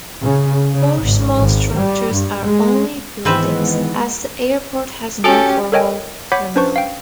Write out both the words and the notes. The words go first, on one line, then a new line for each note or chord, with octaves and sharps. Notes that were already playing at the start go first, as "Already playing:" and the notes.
Four small structures are the only buildings, as the airport has no formal terminal.
C#3
C#3
G#1
G#1
G3
G2
G#3
G#2 D#3 E3 G#3 B3 C4 B4 E5
C#4 F#4 G4 A4 G#5
A4 A#4 C#5 D#5 G5 G#5
C#5 F#5 B5 D6 G6 B6
C#4 D4 B4 C5 A5 C#6
F5 G5